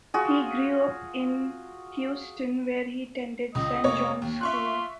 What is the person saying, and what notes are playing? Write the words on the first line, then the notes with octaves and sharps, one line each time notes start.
He grew up in Houston, where he attended Saint John's School.
F4 F#4 G#4
C#2 D#5
F1 A#3 C#5
D#2
F4 E5 C#6 F#6